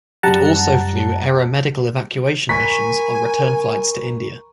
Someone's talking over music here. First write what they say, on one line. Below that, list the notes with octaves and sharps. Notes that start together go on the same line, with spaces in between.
It also flew aeromedical evacuation missions on return flights to India.
F#2 G3 F#5 A5 A#5
A#4 G#5 A#5 B5 C#6 B6